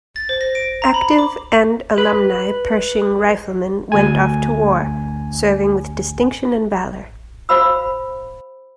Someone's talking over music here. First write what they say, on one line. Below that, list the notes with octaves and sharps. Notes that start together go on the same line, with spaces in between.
Active and alumni Pershing Riflemen went off to war, serving with distinction and valor.
A6
C5
A#6
D7
A#5
B5
D6
B4
D2 G#5
F#4 C5 F5 B5 E6